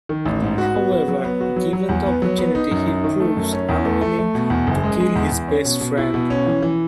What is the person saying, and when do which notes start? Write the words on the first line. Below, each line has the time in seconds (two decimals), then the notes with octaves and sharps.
However, given the opportunity he proves unwilling to kill his best friend.
0.09 D#3
0.26 A1
0.42 G#2
0.58 F#4
0.74 B3
0.92 F#4
1.08 F#3
1.24 B3
1.41 F#4
1.56 F#3
1.73 F#3
1.89 E2
2.06 B3
2.22 F#3
2.38 B3
2.55 D#4
2.71 F#2
2.87 D#4
3.04 D#3
3.20 A3
3.37 F#2
3.53 C#4
3.69 E2
3.85 A3
4.01 A3
4.19 A3
4.35 B2
4.50 E2
4.67 F#1
4.84 G#3
5.00 G#3
5.15 E2
5.32 E2
5.48 C#4
5.65 B2
5.81 B2
5.97 E4
6.14 B2
6.30 C#4
6.47 E3
6.63 E3